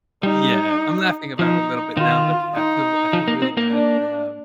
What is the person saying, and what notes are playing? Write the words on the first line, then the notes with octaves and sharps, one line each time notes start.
Yeah, I'm laughing about it a little bit now, but y I feel I feel really bad, um,
G3 D#4
F3 D#4
D#3 F4
D#4
F3
A#3
C4
A#3
D4